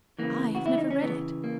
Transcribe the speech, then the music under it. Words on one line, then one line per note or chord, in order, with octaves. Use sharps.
"I have never read it."
C#3 E3 A#3
F#4
E4
D#4
C#4
C#3 E3 B3
A#3